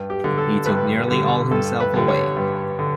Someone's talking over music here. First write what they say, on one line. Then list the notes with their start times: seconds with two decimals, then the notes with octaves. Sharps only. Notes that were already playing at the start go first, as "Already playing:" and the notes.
He took nearly all himself away.
Already playing: G2
0.10 G4
0.24 D3 G3
0.38 A4
0.66 G2 B4
1.08 D3 G3
1.51 G2 A4
1.80 B4
1.94 D3 G3
2.08 C#5
2.36 G2
2.79 D3